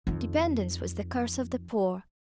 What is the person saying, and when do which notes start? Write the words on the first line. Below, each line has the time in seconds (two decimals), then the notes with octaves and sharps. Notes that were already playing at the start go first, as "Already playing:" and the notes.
Dependence was the curse of the poor.
0.07 F2 D#3